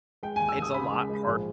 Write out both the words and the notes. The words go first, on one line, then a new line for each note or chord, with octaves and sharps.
it's a lot harder
G#3 G5
D#2 G#5
E6
D#2 D#6
C#3 B5
G#3
G#3
A#1